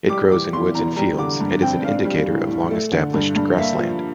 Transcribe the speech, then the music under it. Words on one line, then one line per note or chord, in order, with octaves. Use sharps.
It grows in woods and fields, and is an indicator of long-established grassland.
G3 D6
E3 D6
E2 C6
E2 A#5
G3 A#5
D3 D6
G2
C4 G5
D4 F5
G3
A2
A2
A3
D3
G2
G2
A#3 E5
F3